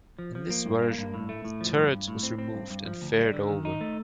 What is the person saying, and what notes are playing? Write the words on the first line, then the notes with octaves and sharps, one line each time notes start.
In this version, the turret was removed and faired over.
F3
F3
A#3
G2
A#3
G2
A2
A3
A2
F3
G2
G2
A2
C4
C4
G2
G2
F3
D2
G3
D3
D#3
D#4
A3